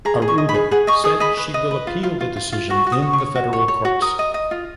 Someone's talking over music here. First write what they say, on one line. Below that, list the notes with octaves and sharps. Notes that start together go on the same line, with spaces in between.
Arruda said she will appeal the decision in the federal courts.
G#4 A#5
G#4
C#6
D#5
B5
G#4
G#4 F#5
D#5 C#6
G#4 D#6
D#5 B5
B4
D#5
B4
F4
F4
F4
F4
F4
F#4 C#6
F#4
D#6
C#5
C#6
C#5
F#4
C#5
C#5
F#4
A#4 D#6
D#5
D#5
F4